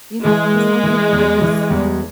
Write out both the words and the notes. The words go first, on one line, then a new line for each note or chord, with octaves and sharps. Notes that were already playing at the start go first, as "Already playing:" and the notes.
You know, some people are just so
E3 G#3
A#3
E3
E2
E3
E2